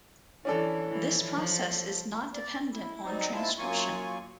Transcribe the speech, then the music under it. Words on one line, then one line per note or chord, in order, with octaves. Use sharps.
This process is not dependent on transcription.
E3 C#4 D4 A4
E3 F3
F3
D5
E4
F#3 G3 C4 D#4
G#2 G#3 E4 F4 E5 A5
F#2 F#3 A#3 F4 G#5 C#6